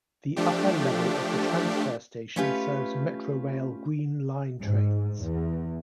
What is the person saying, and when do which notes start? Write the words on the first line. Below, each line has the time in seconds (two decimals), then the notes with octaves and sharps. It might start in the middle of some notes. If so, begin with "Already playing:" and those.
The upper level of the transfer station serves Metrorail Green Line trains.
0.36 F3 A3 D4 G4
2.36 A3 C#4 F4 G4 B4
4.60 G#2
5.23 E2